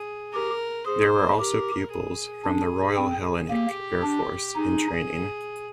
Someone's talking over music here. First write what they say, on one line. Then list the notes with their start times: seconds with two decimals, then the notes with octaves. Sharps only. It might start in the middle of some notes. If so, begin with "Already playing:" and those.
There were also pupils from the Royal Hellenic Air Force in training.
Already playing: G#4
0.33 G4 A#4
0.86 G#4 C5
1.39 G4 A#4
1.92 G#4
2.45 D4
2.97 C4
3.50 A#3 G4
4.03 D4
4.56 D#4 G#4